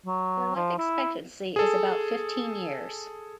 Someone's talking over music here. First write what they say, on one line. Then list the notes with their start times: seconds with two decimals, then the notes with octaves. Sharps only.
Their life expectancy is about fifteen years.
0.06 F#3
0.56 F3
0.78 E4
1.56 G#4 A4